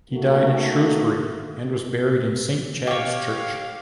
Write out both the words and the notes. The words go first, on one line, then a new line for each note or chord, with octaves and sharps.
He died at Shrewsbury, and was buried in Saint Chad's Church.
A3 A#3 D#4 F#4
G4 C#5 F5